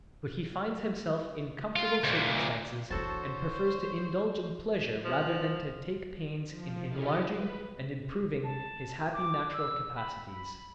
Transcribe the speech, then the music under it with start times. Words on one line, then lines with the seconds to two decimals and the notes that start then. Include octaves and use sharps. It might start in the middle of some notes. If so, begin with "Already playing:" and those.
But he finds himself in comfortable circumstances and prefers to indulge in pleasure rather than to take pains in enlarging and improving his happy natural capacities.
1.76 F4
2.04 D2 A#2
2.91 E2 D3 F#4 A4 C5 C#5 A5
5.05 F3
6.48 F3
6.88 E4 F4 G4 A4 D#5 F5
7.25 B4
8.44 A5
9.13 D6
9.53 E6
9.96 B5